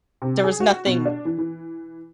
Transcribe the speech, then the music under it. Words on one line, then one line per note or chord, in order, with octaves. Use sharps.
there was nothing,
C3
G#4
F#4
B2
D4
E3
E3